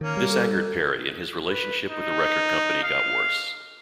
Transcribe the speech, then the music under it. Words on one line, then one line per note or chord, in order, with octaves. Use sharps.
This angered Perry and his relationship with the record company got worse.
D#3 A#3 C#4
G3
A4
B4
D#4
F5